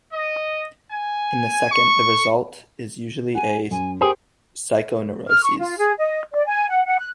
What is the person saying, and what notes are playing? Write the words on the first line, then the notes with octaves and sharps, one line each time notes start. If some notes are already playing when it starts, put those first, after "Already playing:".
In the second the result is usually a psychoneurosis.
D#5
G#5
C#6
F#5 G#5
F#2 G#5
G4 G#4 A#4 C5 G5
F6
C#6
F4
G#4
D#5
D5
G#5
F#5
F#5
F#6